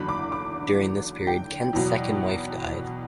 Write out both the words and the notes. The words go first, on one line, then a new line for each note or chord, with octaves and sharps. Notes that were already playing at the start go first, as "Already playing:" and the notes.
During this period, Kent's second wife died.
Already playing: F#1 E2 D3 F#3 B5
D6
D6
G5
E2 B2 F#3